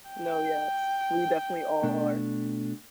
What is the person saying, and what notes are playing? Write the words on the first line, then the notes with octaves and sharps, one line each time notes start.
No, yes. We definitely all are.
G5
B2 A3 D4